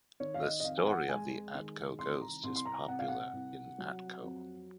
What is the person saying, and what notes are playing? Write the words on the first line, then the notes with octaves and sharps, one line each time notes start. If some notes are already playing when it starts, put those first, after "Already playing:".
The story of the Atco Ghost is popular in Atco.
D#3 C#5
F5
D#5
D#5
F2 F5
G#5
F#5
G#3 G#5
D#3
C2 C6
A#5
C2 C6
C6
A#5
C3 F#5
F5
F#5
C2
F#3
F2